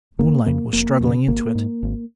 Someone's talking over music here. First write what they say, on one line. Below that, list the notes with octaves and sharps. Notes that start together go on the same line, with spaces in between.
Moonlight was struggling into it.
F1 A#3
F2 C#3 A#3
F1 A#3
F2 C#3
G#1 A#3
G#2
G#1